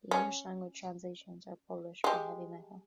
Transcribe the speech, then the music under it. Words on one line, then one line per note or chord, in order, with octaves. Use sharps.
The English language translations are published by "Heavy Metal".
C#4
G#3 G4